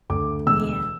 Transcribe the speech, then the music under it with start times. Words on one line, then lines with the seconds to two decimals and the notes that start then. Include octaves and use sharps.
Mm, yeah.
0.10 D2 D6
0.46 E1 E6